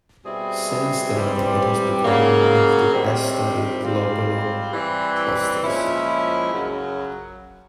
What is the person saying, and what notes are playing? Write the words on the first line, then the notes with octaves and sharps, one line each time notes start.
Since then, it has become one of the best-studied globular clusters.
B2 G3 C4 E4 G#4
C3 E3 G3 C4
C#3 F#3 A#3
C3 D#3 G3 C4
G3 C4 F4
E3 G3 C4
A#2 F3 G#3 C#4 E4
F#2 C#3 F#3